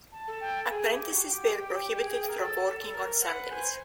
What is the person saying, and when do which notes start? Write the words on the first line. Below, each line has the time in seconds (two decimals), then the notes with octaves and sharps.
Apprentices were prohibited from working on Sundays.
0.12 A5
0.27 A4
0.40 G5
0.68 G#4 G#5
0.89 G4
1.10 F#4
1.24 G5
1.32 G4
1.53 G4
1.95 G#4
2.28 A#4
2.37 A4
2.66 A4
2.84 A4
2.93 A#4
3.21 C5 F#5
3.25 B4
3.50 C5 G#5